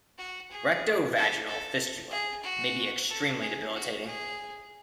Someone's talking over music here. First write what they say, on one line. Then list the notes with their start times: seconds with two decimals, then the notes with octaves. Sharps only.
Rectovaginal fistula may be extremely debilitating.
0.18 F#4
0.51 G#4
1.15 A4
1.48 A4
2.11 G#4
2.43 F#4
3.09 A4
3.41 G#4
3.73 F#4
4.06 G#4